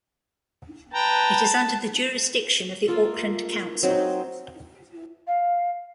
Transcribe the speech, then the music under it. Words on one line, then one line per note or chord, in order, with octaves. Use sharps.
It is under the jurisdiction of the Auckland Council.
B4 G5 A5 A#5
A#3 F4 A4
F#3 C4 D#4
F5